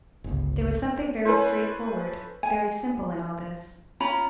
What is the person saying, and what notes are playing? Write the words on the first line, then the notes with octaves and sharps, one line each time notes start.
There was something very straightforward, very simple, in all this.
G1 C#2
C#4 E4 A4 B4 C5
G#5
C#4 F4 A#5 B5